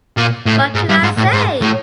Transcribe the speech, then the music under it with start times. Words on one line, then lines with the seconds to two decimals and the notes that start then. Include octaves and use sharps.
What could I say?
0.17 A#2
0.46 A2
0.75 G#2
0.89 G2
1.03 G#2
1.18 A2
1.33 G#2
1.62 A2